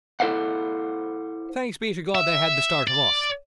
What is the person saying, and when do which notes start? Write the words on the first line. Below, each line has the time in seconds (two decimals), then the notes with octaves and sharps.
Thanks be to God they had the start of us.
0.20 E4 A4 C5 F5 F#5
2.15 E5
2.87 D5